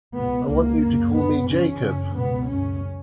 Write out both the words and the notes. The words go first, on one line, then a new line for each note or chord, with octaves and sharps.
I want you to call me Jacob.
C#2 B2 B3
C#2 B2 A#3
F#2 C#3
F#2 C#3 B3
E2 C#3 C#4
F#2 C#3
C#2 B2 B3
F#2 C#3 C#4